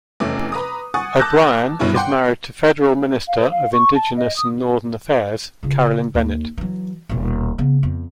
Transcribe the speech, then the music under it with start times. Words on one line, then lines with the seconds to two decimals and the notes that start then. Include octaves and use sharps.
O'Brian is married to federal Minister of Indigenous and Northern Affairs Carolyn Bennett.
0.20 F1 E2 A3 C#4 D6
0.52 B4 A#5 D#6
0.94 F#5 G#5 C#6 D#6 A6 C#7
1.20 A5 D6 E6 F#6 G6 A#6
1.79 F#1 G2 B2 E4 C#5
1.95 F#5 G5 C6 D6
3.27 F5
3.39 C5
3.51 F5
3.73 C#6
3.95 A5
4.17 D#5
4.36 D#6
5.63 C#3 F4
6.15 D#2
6.58 E3 F#3
7.09 D#1 B2
7.58 C#3 B3
7.83 F2 B3